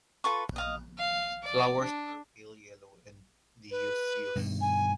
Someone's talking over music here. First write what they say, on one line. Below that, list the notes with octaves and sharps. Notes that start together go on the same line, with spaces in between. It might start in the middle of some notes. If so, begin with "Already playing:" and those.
Flowers are pale yellow and dioecious.
F4 A4 B4 C#6
D#5 F5 D#6
F5
D5
D4
B4
G2 B2 D#3
G#5